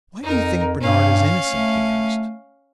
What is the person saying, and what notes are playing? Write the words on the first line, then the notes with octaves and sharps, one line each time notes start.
"Why do you think Bernard is innocent?" he asked.
F2 D#4 A#4
G2 C#4 F5
A3